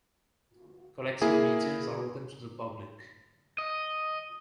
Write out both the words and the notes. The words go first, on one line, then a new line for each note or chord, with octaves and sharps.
Collective meetings are open to the public.
A#3 E4 G#4
D#5